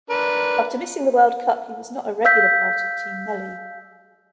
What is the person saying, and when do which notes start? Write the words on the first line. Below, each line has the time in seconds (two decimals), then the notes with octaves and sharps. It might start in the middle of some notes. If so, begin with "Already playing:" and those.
After missing the World Cup, he was not a regular part of Team Melli.
0.10 D4 A#4 B4
2.25 F5 E6 G6 B6